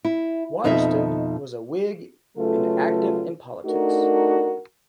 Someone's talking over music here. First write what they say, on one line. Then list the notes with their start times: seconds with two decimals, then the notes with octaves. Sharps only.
Watterston was a Whig and active in politics.
0.05 E4
0.64 F2 B2 D#4 A4 E5
2.38 C#3 F#3 A3 F4 A4 B4
3.66 A3 D4 D#4 F#4 A#4